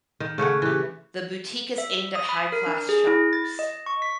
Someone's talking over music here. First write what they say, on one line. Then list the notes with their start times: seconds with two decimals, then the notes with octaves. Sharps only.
The boutique is aimed at high class shoppers.
0.20 D#3
0.38 C#3 A3 C#5 F#5
0.62 E3 G4
1.78 E5
2.15 D#6
2.29 B5
2.52 A#4
2.66 D4
2.89 G#4
3.07 E4
3.33 A6
3.59 D#5
3.86 C#6
4.02 B6